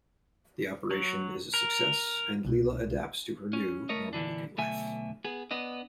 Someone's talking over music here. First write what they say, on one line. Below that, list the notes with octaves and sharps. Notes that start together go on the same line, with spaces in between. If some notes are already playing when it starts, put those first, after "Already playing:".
The operation is a success, and Leela adapts to her new, normal-looking life.
F#3
A#4
C2 B2
C#4
A3 A#4 C#5 D#5
A#2 D3 E3 D4
B1 D3 A3 E5 G#5
B3 G#4
B3 D4 D#5